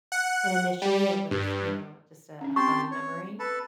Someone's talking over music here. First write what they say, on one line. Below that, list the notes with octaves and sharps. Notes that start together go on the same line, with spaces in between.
and initially it was, you know, just a a funny memory,
F#5
G3
G2
C#4 D4
C4 G4 A5 C6 C#6
C#5
A4 B4 A5